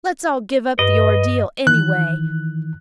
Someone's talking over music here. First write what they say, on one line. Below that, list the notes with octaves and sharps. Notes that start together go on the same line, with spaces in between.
Let's all give up the Ordeal, anyway.
G2 B4 D#5
D#3 E3 F#6